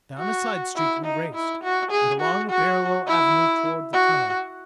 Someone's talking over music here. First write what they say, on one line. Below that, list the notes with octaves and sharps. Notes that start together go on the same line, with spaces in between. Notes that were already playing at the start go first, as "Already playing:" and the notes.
Down a side street we raced, and along a parallel avenue toward the tunnel.
F#4
E4
D#4
E4
F#4
G#4
F#4
F#4
E4
F#4